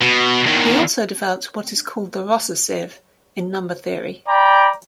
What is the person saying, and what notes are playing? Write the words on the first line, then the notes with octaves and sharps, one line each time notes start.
He also developed what is now called the "Rosser sieve", in number theory.
B2
E2 D#3
D5 G5 A#5 B5